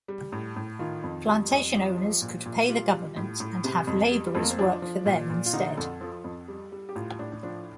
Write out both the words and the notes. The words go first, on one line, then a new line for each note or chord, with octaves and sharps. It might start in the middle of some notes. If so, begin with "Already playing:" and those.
Plantation owners could pay the government and have laborers work for them instead.
G3
A2
A2
D#3 F4
F2
G3
F2
F3 G4
F3
A#2
A#2
G3 F4
G3
A2
A2
C3
F2
G3
G3
F2 A3
A#3
C4
F3 D4
F3
A#2
A#2
F4
D3 D#4
F2 A4
F3 A4
F2
G3
G3
G4
A2 F4
A2 D4
F3 D4